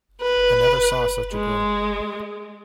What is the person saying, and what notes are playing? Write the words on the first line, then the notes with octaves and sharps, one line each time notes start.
I never saw such a girl!
B4
G#3